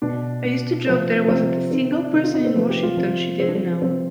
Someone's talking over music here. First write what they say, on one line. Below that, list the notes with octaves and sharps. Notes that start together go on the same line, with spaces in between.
I used to joke there wasn't a single person in Washington she didn't know.
B2 D4
B2
C3 F3 C4
C3 F3 C4
C3 D#3 C4
D4
C3 D#3 D#4
F4
D#4
B3
C4
C3 F3 B3
G4
F4
C3 F3
C3 F3 C4 D4
C4
C3 F3 C4